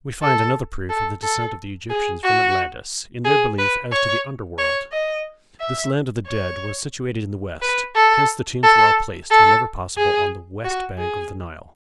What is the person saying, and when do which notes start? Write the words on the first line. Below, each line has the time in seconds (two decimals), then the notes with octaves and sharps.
We find another proof of the descent of the Egyptians from Atlantis in their belief as to the "under-world." This land of the dead was situated in the West--hence the tombs were all placed, whenever possible, on the west bank of the Nile.
0.22 A4
0.90 A4
1.22 A4
1.90 G#4
2.24 F#4
3.25 G#4
3.59 B4
3.92 C#5
4.59 C#5
4.92 D#5
5.61 E5
6.27 C#5
7.62 B4
7.95 A4
8.63 A4
9.31 A4
9.98 G#4
10.65 F#4
10.98 G#4